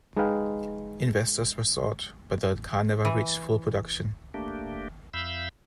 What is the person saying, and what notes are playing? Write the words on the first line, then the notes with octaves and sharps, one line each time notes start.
Investors were sought but the car never reached full production.
G#3 D#4 G#4 B4 F5 G5
E3
A3 A#3 D4 G4
F2 E5 F5 B5 E6 G6